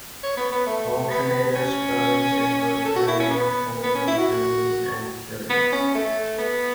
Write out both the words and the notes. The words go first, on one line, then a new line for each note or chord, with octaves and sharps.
Alternative spellings include Keaveny, Keveney, Keavney, and Kiveney.
C#5
B3
B3
A3
B3
C#4
A4
F#4
E4
C#4
B3
B3
C#4
E4
F#4
B3
C#4
A3
B3